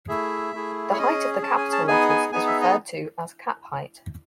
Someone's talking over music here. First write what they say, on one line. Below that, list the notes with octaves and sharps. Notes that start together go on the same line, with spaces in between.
The height of the capital letters is referred to as Cap height.
A3 E4 G#4 E5
A3 E4 G#4
C#5
C#4 G#4 D#5
C#4 G#4 A5
G#5
A5
B3 D#4 G#4 G#5
G#5
B3 D#4 G#4 G#5
E5
D#5